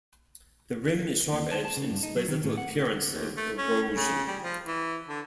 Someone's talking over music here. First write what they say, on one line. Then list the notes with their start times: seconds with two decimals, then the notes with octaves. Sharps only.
The rim is sharp-edged and displays little appearance of erosion.
1.32 D#2
1.52 A5
1.65 A5
1.77 C#3
1.90 G2
2.03 D#4
2.16 F#3
2.28 D#3
2.44 A2
2.57 F#5
3.10 D#2
3.37 A3
3.58 C#4
3.96 C#3
4.27 G3
4.42 F3
4.66 E3
5.08 D3